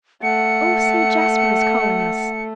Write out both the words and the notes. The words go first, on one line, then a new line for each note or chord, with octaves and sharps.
"Oh, see, Jasper is calling us."
A3 F#5 C#7